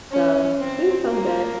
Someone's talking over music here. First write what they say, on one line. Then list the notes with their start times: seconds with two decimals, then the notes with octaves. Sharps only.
So, maybe someday.
0.11 C#4
0.59 C4
1.07 A#3